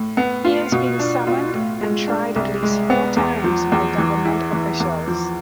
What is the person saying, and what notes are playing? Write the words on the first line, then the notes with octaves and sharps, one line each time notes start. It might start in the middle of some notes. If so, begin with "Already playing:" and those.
He has been summoned and tried at least four times by government officials.
Already playing: A2
B3
F4
B2
D4
F4
A2
G#3
D4
C2
G#3
B3
E2
F3
E2
E3
E4
E3
E2
F3